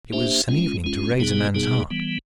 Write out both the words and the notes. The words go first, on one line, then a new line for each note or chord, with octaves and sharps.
It was an evening to raise a man's heart.
A#3 D4 G4 C5 E5
G#3 C#4 F4
G#3 C#4 F4
B2 G3 B3 D#4 G#4
B2 G3 B3 D#4 G#4
E3 G3 B3